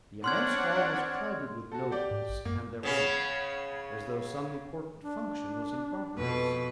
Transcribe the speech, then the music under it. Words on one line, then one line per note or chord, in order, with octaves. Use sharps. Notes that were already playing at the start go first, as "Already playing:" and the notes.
The immense hall was crowded with nobles and their women, as though some important function was in progress.
C4 D4 C#5 D5 F#5 C6 F6 G#6
F#4 A4
G4 D5 G5
G#2
A1
F#2 A#3
C#3 B3 C#4
D4
F2 B2 B4